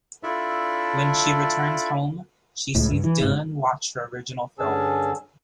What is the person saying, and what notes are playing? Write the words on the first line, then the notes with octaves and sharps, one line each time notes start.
When she returns home, she sees Dylan watch her original film.
D4 E4 F4 A4 D5 E5
C#2 A2
G2
E3
G1 G#2 C3
G2 D3 C#4 G#4 A5 E6